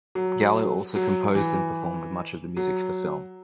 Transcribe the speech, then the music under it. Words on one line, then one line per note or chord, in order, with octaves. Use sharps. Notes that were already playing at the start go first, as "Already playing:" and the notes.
Gallo also composed and performed much of the music for the film.
F#3
F#3
E3
F#3